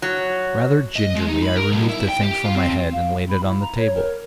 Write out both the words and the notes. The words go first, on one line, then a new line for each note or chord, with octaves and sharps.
Rather gingerly I removed the thing from my head and laid it on the table.
F#3
D#5
G#3
D#4
B5
A#4
B1
E4
G5
G4
F4
C4
F5
B5
E4
A#5
C#5
A#4